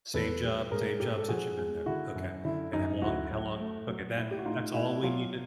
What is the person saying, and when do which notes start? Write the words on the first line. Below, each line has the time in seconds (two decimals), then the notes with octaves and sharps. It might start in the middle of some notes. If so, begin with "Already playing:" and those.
Same job same job since you've been there. Okay. And how long how long, okay. That that's all we need t
0.14 E2 A4 B4
0.43 G3
0.71 G#2 G#4 A#4
1.00 G#2 G4 A4
1.18 A4
1.28 F3 F#4 G#4
1.58 G#3
1.86 D3 E4 F#4
2.15 F#2
2.44 D3 E4
2.73 F#2 D#4
3.02 D2 E4 F#4
3.31 F#3
3.60 A3
3.88 F#3
4.17 A2 E4
4.31 G4
4.39 F#4
4.45 A2 D#4 F4
4.74 A3 E4 F#4
5.03 F#3 F4 G4